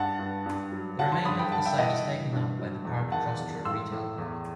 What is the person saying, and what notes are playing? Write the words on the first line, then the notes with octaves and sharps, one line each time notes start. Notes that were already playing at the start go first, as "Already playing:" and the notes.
The remainder of the site is taken up by the Parc Trostre retail park.
Already playing: G2 F#5 A5
G2
G2
F#3
F#3 F#5 A5
A5 C6
G2 B5 D#6
G5 B5
G3 F#5 A5
E5 G5
E3 D#5 F#5
G2
G2
F#3
E2
D#3 F#5 A5
E2
A2 C6 E6
A2
E2